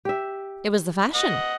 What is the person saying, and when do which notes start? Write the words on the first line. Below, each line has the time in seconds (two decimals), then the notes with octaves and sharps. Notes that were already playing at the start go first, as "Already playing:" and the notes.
It was the fashion.
0.05 G4 E5
1.15 D#5 F#5